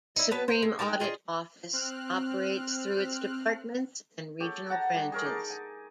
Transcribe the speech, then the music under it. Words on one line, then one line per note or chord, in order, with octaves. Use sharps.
The Supreme Audit Office operates through its Departments and Regional Branches.
D#4 E4
F#3 B3 B4 A5
C5
G#3
D#4 A#4 G5 A5
F4 G#4 C#5 D#5
C4 F6 F#6
G4 A4 C#5
F#5 A5 A#5
G3
G#4 A#4 C#5
D#4 D5 A5
G#5